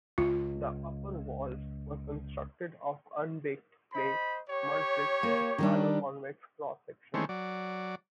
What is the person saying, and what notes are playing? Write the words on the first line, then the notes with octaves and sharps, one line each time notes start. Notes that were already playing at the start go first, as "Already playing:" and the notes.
The upper walls were constructed of unbaked clay mudbricks with plano-convex cross-sections.
C#2 F4
C5 D#5 B5
G4 C#5
A#3
D#3 G3 D4
D#3 E3 G#3 A3 C4 C#4
F#3 D5